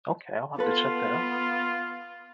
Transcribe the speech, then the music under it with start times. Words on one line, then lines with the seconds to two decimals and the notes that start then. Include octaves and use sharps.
Okay, I'll have to check that out.
0.59 B3 F4 A4 B4